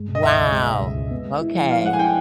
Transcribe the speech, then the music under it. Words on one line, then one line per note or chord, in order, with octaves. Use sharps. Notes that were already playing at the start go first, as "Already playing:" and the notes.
Wow. Okay.
Already playing: G2 G#3
B2
D#5
C#2 E5
C#2
G#3
B2
C#2
C#2
B3
G#3
E4
F3
B3 F5
G#3 F#5
G#5
E4 G5